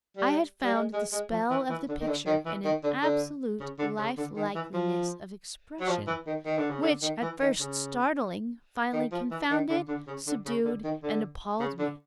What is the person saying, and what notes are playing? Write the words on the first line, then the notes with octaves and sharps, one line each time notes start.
I had found the spell of the picture in an absolute life-likeliness of expression, which, at first startling, finally confounded, subdued, and appalled me.
G3
G3
G#3
G#3
G#3
F3
E3
E3
D3
D#3
D3
D#3
E3
D#3
D3
D3
C#3
D3
C#3
D3
D#3
E3
F3
F#3
F3
E3
D#3
D#3
D3
C#3
D3
D#3
E3
D#3
C#3
D#3
F3
E3
D#3
D3
D3
C#3
D3
C#3
D3
D#3
D3
C#3
D3